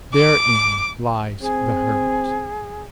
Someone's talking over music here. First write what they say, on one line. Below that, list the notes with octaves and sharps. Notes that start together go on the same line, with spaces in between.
Therein lies the hurt.
D6
C4 G#4